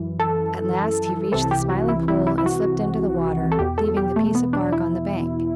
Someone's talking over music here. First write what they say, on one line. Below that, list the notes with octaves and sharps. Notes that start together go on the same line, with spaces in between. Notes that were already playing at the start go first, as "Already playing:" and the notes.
At last he reached the Smiling Pool and slipped into the water, leaving the piece of bark on the bank.
Already playing: F#2 E3
A4
C2 C3 E3 A4
G4
F#4
E4
E4
E4
E4
F#4
A4
E2 B2 G4
A4
G4
A3
B3
D4
E4